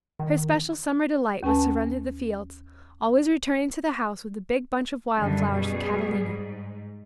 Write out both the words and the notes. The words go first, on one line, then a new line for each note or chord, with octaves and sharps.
Her special summer delight was to run through the fields, always returning to the house with a big bunch of wild flowers for Catalina.
D#3
D#2 C#4 B4 G#5 A5
F#2 D3 D#3 G3
B2 G3 G#4
G#2